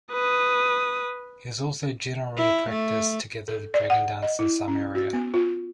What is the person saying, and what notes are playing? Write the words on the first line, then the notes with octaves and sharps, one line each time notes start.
It is also generally practised together with Dragon dance in some area.
B4 D#6
E4
A3
A4
D5
F#5
D#5
E4
C#4
F#4
B3
F4